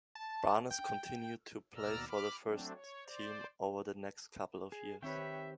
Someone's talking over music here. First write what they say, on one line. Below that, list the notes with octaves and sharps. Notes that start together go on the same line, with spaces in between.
Barness continued to play for the first team over the next couple of years.
A5
G5
D#2 B2 D5 A#5 E6 F6
B5 D6 F6
F#3 A3 C4 D4
C#5
C5 D5
G#4
D#3 C4 G4 B4 C#5 E5 G5